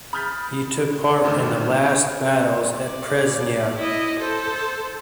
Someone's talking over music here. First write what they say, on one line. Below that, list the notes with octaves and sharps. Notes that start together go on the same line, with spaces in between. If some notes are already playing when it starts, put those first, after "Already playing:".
He took part in the last battles at Presnya.
B5 D#6 F6 G6 A6 B6
D2 G2 D#3 A3 D6 E6
D5
E4 D#5
A4 C5